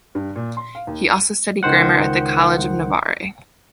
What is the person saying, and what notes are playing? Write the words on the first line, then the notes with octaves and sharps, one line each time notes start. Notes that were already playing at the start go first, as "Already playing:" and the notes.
He also studied grammar at the College of Navarre.
G2
A#2
C6
F5
D#2
D#7
C#2 D#3 C5 F#5